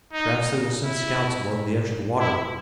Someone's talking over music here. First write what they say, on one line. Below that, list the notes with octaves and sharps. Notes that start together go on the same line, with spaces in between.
Perhaps they will send scouts along the edge of the water.
D#4
E4
E4